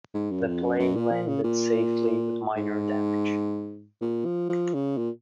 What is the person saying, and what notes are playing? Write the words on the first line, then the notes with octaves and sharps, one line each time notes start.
The plane landed safely with minor damage.
G#2
F#2
F2
F#2
F#2
A#2
F3
C#3
A#2
G#2
A#2
F3
F3
C#3
A#2